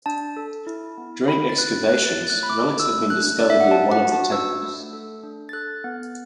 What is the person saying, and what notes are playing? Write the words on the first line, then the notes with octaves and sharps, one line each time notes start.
During excavations, relics have been discovered near one of the temples.
D4 A5
A4
E4
B3
A4 B5
A6
E4 F#6
A3 F#6
A6
A3
F#6
B5
A3 D6
A3 E6
D4 F#6
D4 D5
E5
F#5
D4 A5
F#5
F#4
A5
D4 E6
A3
A4
D4
A6
A4 F#6
B3